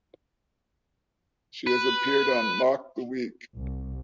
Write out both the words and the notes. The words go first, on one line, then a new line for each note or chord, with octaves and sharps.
She has appeared on "Mock the Week".
B4
C2